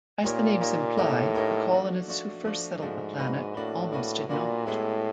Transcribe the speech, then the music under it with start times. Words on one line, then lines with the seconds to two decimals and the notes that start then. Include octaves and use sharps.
As the names imply, the colonists who first settled the planet almost did not.
0.23 A#2 A#3 D#4 G4 A#4 C#5
0.61 A#3 D#4 G4 A#4 C#5
0.97 A2 A#3 D#4 G4 A#4 C#5
1.35 A#3 D#4 G4 A#4 C#5
1.71 F3 A3 D4 F#4
2.08 F3 A3 D4 F#4
2.45 F3 A3 D4 F#4
2.81 G#2 F3 A3 D4 F#4
3.18 A#3 D4 F#4 B4
3.55 A2 A#3 D4 F#4 B4
3.92 A#3 D4 F#4 B4
4.29 A#2 A#3 D4 F#4 B4
4.66 A2 G#3 B3 E4 G4